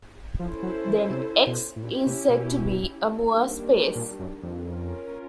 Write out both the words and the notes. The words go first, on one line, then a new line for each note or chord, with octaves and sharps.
Then "X" is said to be a Moore space.
F3 C#4 E4 A4 C5
F#3
E3
C3
B2
A2
A#2 C#4 E4 G4
C3
B2
D#3 G3 A#3 D4
A#2
F#2
F2
C#4 F4 A#4